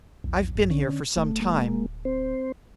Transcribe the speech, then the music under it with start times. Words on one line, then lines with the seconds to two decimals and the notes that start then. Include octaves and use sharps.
I've been here for some time.
0.24 A#1 E2
0.56 G2
0.70 D3 C#4
1.17 D1 A3
1.42 G#3 A#3
2.05 C4 C5